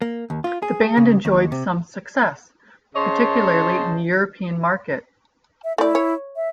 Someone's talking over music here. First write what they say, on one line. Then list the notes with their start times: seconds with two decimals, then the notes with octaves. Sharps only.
The band enjoyed some success, particularly in the European market.
0.02 A#3
0.30 D#2
0.44 F4
0.62 G#4
0.97 C#3
1.25 D#2
1.52 C3
2.95 C#3 C5 C#5 D#5 A5
5.64 E5
5.78 A3 E4 D5
5.95 C#5
6.36 E5